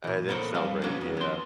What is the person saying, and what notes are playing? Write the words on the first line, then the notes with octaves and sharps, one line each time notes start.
I didn't celebrate, yeah.
A#2 E3
A#3 B3 A4 A#4 C5 C#5
F2 G3 B4 F5 A5
A#3 B3 C#4 D4 F#4 B4
F2
B3 C6